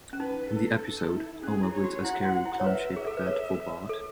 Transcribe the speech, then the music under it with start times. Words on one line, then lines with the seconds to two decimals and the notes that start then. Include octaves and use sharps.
In the episode, Homer builds a scary clown-shaped bed for Bart.
0.13 C#4
0.20 D#4 B4
0.51 A4
0.82 A4
1.12 E4
1.43 C#4 G#4
1.63 E4
1.74 C#5
1.84 F#4
2.04 E4 F#5
2.25 F#4
2.45 E4
2.60 C#5
2.66 B4 E5
2.96 G#4
3.07 A4
3.17 B4
3.27 C#5
3.89 A4